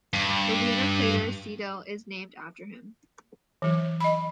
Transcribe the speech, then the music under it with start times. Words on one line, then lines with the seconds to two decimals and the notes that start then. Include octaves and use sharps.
The lunar crater Seidel is named after him.
0.13 G2
3.62 E3 F#3
4.00 D#5 B5